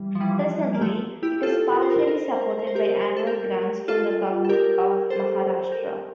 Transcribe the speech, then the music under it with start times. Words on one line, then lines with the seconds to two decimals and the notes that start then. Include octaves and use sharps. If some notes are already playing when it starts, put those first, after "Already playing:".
Presently, it is partially supported by annual grants from the Government of Maharashtra.
Already playing: E3 G3
0.15 F3
0.20 E3 G3
0.74 A#3
0.81 F3 A3
1.22 E4 G4
1.43 F4 A4
1.74 A#4
1.82 C5
1.91 A#4
1.99 C5
2.07 A#4
2.16 C5
2.25 A#4
2.33 C5
2.41 A#4
2.50 C5
2.59 A#4
2.67 C5
2.75 G4 A#4
3.17 A4
3.27 G4 A#4
3.88 F4 A4
4.45 A4
4.49 G4 A#4
5.10 A4 C5
5.72 G4 A#4